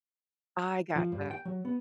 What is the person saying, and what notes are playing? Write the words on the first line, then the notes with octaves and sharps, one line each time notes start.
I gotcha.
F3
G2
G5
F#3
B3